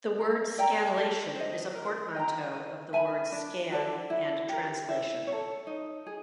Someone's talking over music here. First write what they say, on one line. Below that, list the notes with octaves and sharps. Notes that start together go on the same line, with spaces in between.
The word "scanlation" is a portmanteau of the words scan and translation.
A#4
D5 G5 A#5
A4
C5 D#5
A#4
D#5 G5 A#5
B4
E5 G#5 B5
D4
F#4 A4 D5
E4
G4 A#4
E4
C#5
A4
D#4
G#4